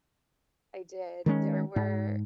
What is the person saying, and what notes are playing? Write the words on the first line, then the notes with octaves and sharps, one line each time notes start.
I did. There were
D#3 G#3 C#4
G#2